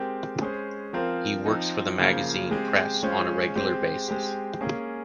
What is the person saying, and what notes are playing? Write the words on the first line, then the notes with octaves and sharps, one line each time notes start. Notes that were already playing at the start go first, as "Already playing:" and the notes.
He works for the magazine press on a regular basis.
Already playing: G#3 C4 G4 A#4
G#3 C#4 G#4 C5
F3 C4 F4 A#4
F3 C4 D#4
C#3 F3 A#3 F4 C5
G#3 C4 G4 C5
G#3 C#4 F4 G#4 C5
G#3 C4 G4 C5
G#3 C4 G4
A#3 C#4 G#4